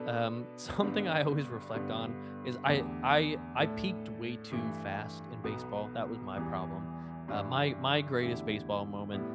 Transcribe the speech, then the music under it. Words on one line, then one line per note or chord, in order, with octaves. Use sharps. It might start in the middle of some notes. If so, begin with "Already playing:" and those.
Um, something I always reflect on is I I I peaked way too fast in baseball, that was my problem. Uh, my my greatest baseball moment,
Already playing: B2 B3 D4 A4
G1 G2 D3 B3 D4
G2 D3 G3 B3
E2 D3 A3 G4
A2 A3 D4 A4
G2 E3 A3
B1 B2 B3
E2 E3 G3
G2 E3 G3 D4
E2 D3 A3 E4 G4
A2 G3 B3 E4